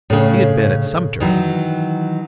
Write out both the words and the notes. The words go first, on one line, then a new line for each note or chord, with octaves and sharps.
He had been at Sumter.
A2 C#3
D#3 E3 F#3